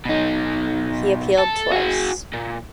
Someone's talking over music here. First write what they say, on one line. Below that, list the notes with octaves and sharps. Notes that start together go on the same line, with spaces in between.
He appealed twice.
B2 D#4
A4
F#4 G#4
A#2